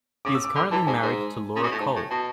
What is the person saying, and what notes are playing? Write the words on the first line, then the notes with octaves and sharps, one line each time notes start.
He is currently married to Laura Cole.
C#3 D6
E6
D6
D3 B5
E3 A5
G#2 G#5
G#2
C#3
B2
A2
G#2 A5
A2
B2 A5